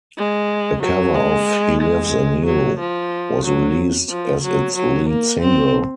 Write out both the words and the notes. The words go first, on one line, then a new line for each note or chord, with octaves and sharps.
A cover of "He Lives in You", was released as its lead single.
G#3
F#3
G#3
G#3
F#3
F3
F#3
F3
F#3
F#3
A#3
C4